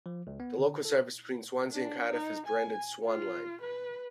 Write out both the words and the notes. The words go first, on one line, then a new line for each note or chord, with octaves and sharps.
The local service between Swansea and Cardiff is branded Swanline.
F3
C#2
B3
D3
A4
D4
D#4
G#5
F4
B4